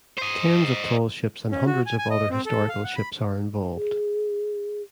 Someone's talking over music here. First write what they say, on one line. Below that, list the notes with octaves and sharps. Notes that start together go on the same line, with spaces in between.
Tens of tall ships and hundreds of other historical ships are involved.
C5 D#5
C#4
F#4
G#5
G#5
D#5
C4
A4
F5
F#5
B5
G#4